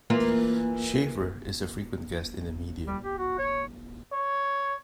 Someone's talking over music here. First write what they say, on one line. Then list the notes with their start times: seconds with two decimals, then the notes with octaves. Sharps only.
Shaffer is a frequent guest in the media.
0.10 E3 A#3 F4
2.87 G3
3.03 G4
3.18 F#4
3.38 C#5
4.12 C#5